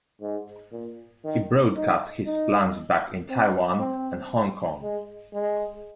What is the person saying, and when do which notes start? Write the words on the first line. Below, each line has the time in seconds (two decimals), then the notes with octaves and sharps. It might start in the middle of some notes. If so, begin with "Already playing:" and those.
He broadcast his plans back in Taiwan and Hong Kong.
0.21 G#2
0.72 A#2
1.24 D#3
1.76 D#4
2.26 D#4
3.29 C4
3.80 C4
4.82 G#3
5.33 G#3